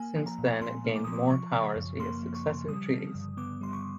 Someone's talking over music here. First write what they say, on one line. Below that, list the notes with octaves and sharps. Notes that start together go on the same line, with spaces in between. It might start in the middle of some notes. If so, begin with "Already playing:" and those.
Since then it gained more powers via successive treaties.
Already playing: A#3 G#5
F3
A#5
A#2
A#2 C6
A#3
D6
F3 D#6
D6
F3 C#6
C#3
F#2
A#3 C6
F3
C#6
C#3
G3 D#6
D3
G2
B3 D6
G3 C6
C#6